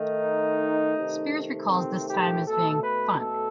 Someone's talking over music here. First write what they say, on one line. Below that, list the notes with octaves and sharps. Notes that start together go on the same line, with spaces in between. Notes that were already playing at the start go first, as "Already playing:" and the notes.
Spears recalls this time as being "fun".
Already playing: D#3 A3 D#4
C3 D#3 A3
C4
G4
B2 A3 A4
B4
A4